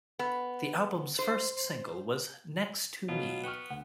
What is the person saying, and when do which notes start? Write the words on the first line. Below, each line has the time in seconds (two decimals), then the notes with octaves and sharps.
The album's first single was "Next To Me".
0.19 B3
1.19 C5
3.09 B2 F#3 F4
3.44 B3 G5 C#6 F6
3.70 D2 F#5